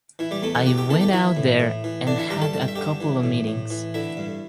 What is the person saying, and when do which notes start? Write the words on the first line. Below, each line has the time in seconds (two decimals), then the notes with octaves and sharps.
I went out there and had a couple of meetings.
0.19 E3 E4
0.31 G3 G4
0.42 E2 A3 A4
0.55 B3 B4
0.66 E2 G4 G5
0.78 G4 G5
0.89 E3 A4 A5
1.01 G4 G5
1.13 E3 E4 E5
1.37 A2
1.60 A2
1.84 E3
2.07 D3 D4 D5
2.18 E4 E5
2.30 G2 G4 G5
2.42 A4 A5
2.53 G2 A5
2.61 G5
2.68 E5
2.76 D3 G4 G5
3.01 E3
3.24 A2
3.47 A2
3.70 E3
3.94 D3 E4 E5
4.17 G2